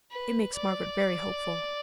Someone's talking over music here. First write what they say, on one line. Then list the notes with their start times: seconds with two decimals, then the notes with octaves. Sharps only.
It makes Margaret very hopeful.'
0.11 B4
0.54 D5